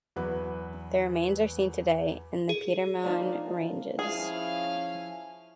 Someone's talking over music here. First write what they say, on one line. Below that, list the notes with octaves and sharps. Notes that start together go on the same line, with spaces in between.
The remains are seen today in the Petermann Ranges.
E2 F#3 B4
G#4
D#3 F3 A#3 D4
F3 C#4 E4 G#4 F5 G#5